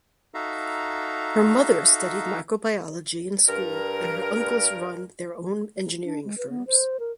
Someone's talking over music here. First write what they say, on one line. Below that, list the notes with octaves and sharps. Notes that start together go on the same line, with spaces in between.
Her mother studied microbiology in school and her uncles run their own engineering firms.
D#4 F#4 A4 E5 F5 A#5
G2 A#4
D4
G#3
B4
B3
C5
A#4